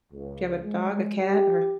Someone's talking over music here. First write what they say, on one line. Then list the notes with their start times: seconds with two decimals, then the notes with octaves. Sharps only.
do you have a dog, a cat, or
0.13 C#2
0.64 G#3
1.21 G4